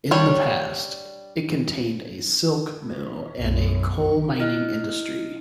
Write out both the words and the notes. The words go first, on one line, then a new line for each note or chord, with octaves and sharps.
In the past, it contained a silk mill and a coal mining industry.
G3 D4 C#5
B1 F#2
E4 D#5 F6